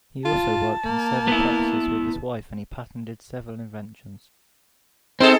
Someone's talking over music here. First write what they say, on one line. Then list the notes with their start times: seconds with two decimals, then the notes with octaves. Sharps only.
He also worked in several practices with his wife, and he patented several inventions.
0.25 F4 A5
0.85 A#3
1.28 B3 E4
5.20 C4 D#4 G#4 A4